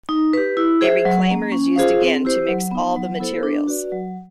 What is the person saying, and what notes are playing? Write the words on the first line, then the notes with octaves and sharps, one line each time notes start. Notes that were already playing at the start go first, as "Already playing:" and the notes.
A reclaimer is used again to mix all the materials.
D#4
G4 B4
E4
G#4 C5 E5
F#3
A#3 C#4
C#4
F4 G#4 C5 F5
C4
E4 G4 C5
F#3
B3 D#4
F#3
B3 E4 A4 C5
D4
F#4 B4 D5
F#3